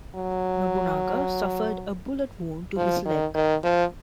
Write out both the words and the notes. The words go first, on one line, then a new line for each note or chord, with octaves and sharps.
Nobunaga suffered a bullet wound to his leg.
F#3
F3
D#3
D#3
F3